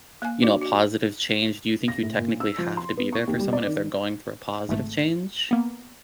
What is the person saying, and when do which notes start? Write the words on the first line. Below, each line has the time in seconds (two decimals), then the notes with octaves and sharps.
you know, a positive change. Do you think you technically have to be there for someone if they're going through a positive change?
0.22 A#3 G#5
0.43 D4 F#4 D5
0.61 F#4
1.88 A#6
2.03 A2
2.18 A#2
2.40 E6
2.58 F3
2.77 C6
2.97 B3
3.13 C#6
3.27 D#2
3.39 G3
3.53 D5
3.67 D#3
4.69 G#1 G#2 A3
5.51 A#3 B3